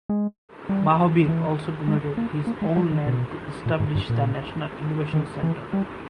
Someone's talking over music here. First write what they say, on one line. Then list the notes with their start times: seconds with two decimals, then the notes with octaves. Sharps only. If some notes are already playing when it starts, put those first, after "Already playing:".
Mahabir also donated his own land to establish the National Innovation Center.
0.09 G#3
0.69 G3
1.28 E3
1.88 G#3
2.17 A#3
2.47 A#3
2.62 G#3
2.77 G3
2.92 D#3
3.06 B2
3.66 A#2
3.80 G#2
3.95 G2
4.10 A#2
5.13 D#3
5.43 E3
5.73 G3